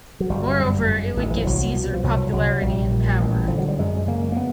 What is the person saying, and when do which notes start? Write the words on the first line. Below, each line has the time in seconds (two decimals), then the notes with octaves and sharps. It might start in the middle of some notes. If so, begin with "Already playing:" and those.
Moreover, it would give Caesar popularity and power.
0.20 F#3
0.29 G1 G3
0.59 F#2
0.88 G#2
1.17 A1
1.23 D#3
1.31 E3
1.37 F3
1.45 C2 F#3
1.75 B2
1.93 F3
2.04 C2 F#3
2.33 C2 F#3
2.62 A#1 G3
2.91 A#2
3.20 A1
3.48 D3 F3
3.58 F#3
3.68 G3
3.79 F#2 G#3
4.07 C#3 A#3
4.32 A#3
4.36 B3